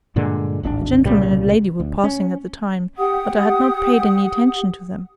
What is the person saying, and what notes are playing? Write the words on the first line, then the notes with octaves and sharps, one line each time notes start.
A gentleman and lady were passing at the time, but I had not paid any attention to them.
G2 A#2 D3 G#3
D1 G#1 C#4 D4
C2 A#2 C#3 G3
D2
C#4
G4 F#5 D#6